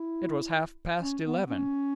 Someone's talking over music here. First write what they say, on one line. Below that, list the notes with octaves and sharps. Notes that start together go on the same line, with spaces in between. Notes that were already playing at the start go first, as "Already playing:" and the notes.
It was half-past eleven.
Already playing: E4
C#4
B3
C#4